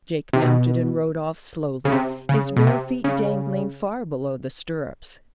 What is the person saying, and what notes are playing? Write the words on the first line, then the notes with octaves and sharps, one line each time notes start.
Jake mounted and rode off slowly, his bare feet dangling far below the stirrups.
C3
B2
C#3
C3
C#3
B2
C3
C#3